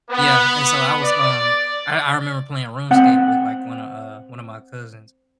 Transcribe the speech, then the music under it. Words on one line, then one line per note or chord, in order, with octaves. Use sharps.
Yeah, and so I was, um I I remember playing RuneScape with, like, one a, uh one of my cousins,
B3
D5
C4 F#5